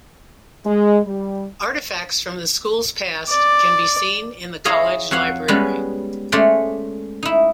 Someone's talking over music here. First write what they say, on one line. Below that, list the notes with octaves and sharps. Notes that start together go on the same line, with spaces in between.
Artifacts from the schools' past can be seen in the College library.
G#3
G3
D5
E4 G#4 C#5 D#5 F5
F2 F#4 C#5 F5 F#5
G3 G#3 B3 C#4 B4
G#3 A3 C#4 C5 D5
D#4 E4